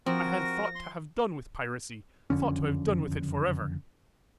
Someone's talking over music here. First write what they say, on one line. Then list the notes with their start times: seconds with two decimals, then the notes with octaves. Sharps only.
I had thought to have done with piracy; thought to have done with it for ever.
0.06 F3 C4 F#4 A#4 A#6
0.75 C6
2.30 F#1 F2 D3 C#4